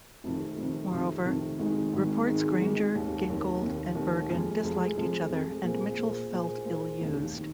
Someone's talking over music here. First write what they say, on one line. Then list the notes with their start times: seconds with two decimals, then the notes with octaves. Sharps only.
Moreover, reports Granger, Gingold, and Bergen disliked each other, and Mitchell felt ill-used.
0.24 F1 F2 C3 D#3
0.58 F1 F2 C3 D#3
0.91 F1 F2 C3 D#3
1.25 F1 F2 C3 D#3
1.59 G#1 G#2 D#3 G#3 D#4
1.93 G#1 G#2 D#3 G#3 D#4
2.27 G#1 G#2 D#3 G#3 D#4
2.60 G#1 G#2 D#3 G#3 D#4
2.94 F1 D#2 D#3
3.28 F1 D#2 D#3
3.62 F1 D#2 D#3
3.95 F1 D#2 D#3
4.29 F1 F2 F3 G#3
4.63 F1 F2 F3 G#3
4.97 F1 F2 F3 G#3
5.30 F1 F2 F3 G#3
5.64 A#2 A#3 G#4 C5
5.98 A#2 A#3 G#4 C5
6.32 A#2 A#3 G#4 C5
6.65 A#2 A#3 G#4 C5
6.99 F1 D#2 D#3
7.37 D#3